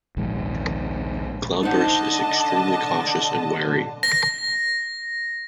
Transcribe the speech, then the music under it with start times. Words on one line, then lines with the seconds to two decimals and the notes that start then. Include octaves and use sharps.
Cloudburst is extremely cautious and wary.
0.17 A#1 D#2 G#2
1.63 D3 D#4 C5 D#5 F#5 A5
4.03 A#6